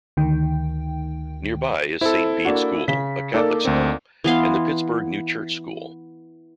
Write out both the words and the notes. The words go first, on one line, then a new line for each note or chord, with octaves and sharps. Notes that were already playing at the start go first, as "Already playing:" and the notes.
Nearby is Saint Bede School, a Catholic school, and the Pittsburgh New Church School.
D2 D#3 G5
C4 E4 A4
A#3 D4 F#4
C#3 B6
A#3 D#4 A4 D5
D2 C4
E3 B3 F5 C6